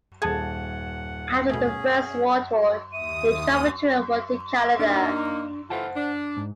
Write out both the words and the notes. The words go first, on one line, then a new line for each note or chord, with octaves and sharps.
After the First World War he traveled to and worked in Canada.
D#1 G#4 A4 F#5 A5 G#6
B2 A3 C#4 G#4
D#2 E5 D#6 D#7
A#3 D4 D#4
E3 A3 F4 C5 F#5 A5
D4
G#2